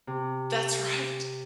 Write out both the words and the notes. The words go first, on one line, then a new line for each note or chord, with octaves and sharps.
That's right.
C3